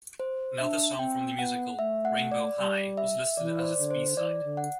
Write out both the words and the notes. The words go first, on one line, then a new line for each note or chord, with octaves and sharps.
Another song from the musical, "Rainbow High", was listed as its B-side.
C5
D4 E5
C4 G5
B3 F#5
A3 E5
F#5
D5
G3 D5
E5
E3 D5
C5
D5
D3
C5
E3 D5
D3
F#5